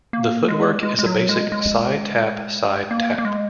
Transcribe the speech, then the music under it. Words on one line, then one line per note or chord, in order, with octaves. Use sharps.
The footwork is a basic side-tap, side-tap.
A#3
G#3
G#3
G#3
F#3
G#3
G#3
A#3
A#3
G#3